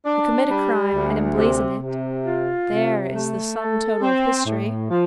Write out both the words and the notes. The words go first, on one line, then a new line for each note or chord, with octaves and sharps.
To commit a crime and emblazon it, there is the sum total of history.
D4
G3
D2
C3
C3
F4
C3
A3
A4
C4
A2
F3